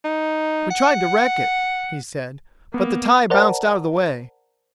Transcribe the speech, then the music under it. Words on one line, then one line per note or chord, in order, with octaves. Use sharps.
"We tried to wreck it," he said, "but the tie bounced out of the way."
D#4
F#5
A#3 B3
A#4 C5 D5 F#5 A5 A#5